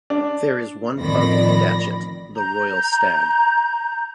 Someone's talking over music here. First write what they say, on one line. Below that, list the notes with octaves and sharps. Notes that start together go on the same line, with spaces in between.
There is one pub in Datchet, The Royal Stag.
D4
A1 F2 D#3 D5 B5 A#6
A#5 G6